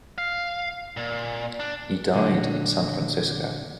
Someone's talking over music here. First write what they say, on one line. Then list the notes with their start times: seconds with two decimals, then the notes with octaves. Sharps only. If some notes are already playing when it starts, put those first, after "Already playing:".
He died in San Francisco.
0.18 F5
0.97 A#2
1.60 D4
2.14 A#2 D3 F#3